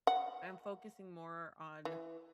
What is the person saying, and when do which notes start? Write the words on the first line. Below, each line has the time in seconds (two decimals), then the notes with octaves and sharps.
I'm focusing more on
0.07 F#5
1.85 E3